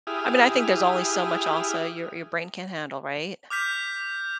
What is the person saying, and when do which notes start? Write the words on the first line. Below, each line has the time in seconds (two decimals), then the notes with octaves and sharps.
I mean, I think there's only so much also your, your brain can't handle, right?
0.07 E4 G4 G#4 D#6 F6
3.50 D6 F6 G6 B6